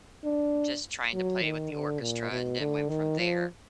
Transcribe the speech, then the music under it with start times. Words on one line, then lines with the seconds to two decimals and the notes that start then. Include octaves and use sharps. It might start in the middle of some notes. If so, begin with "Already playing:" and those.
Just trying to play with the orchestra and then went from there,
0.24 D4
1.13 F#3
1.43 D#3
1.72 D3
2.01 A#2
2.31 B2
2.60 D3
2.89 D#3
3.19 F3